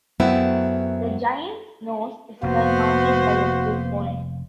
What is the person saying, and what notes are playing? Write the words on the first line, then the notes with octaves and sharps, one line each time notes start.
The Giant's nose is surmounted by a trig point.
F#2 F#3 A3 B3 C4 E4
F1 F2 A#3 B3 F#4 C5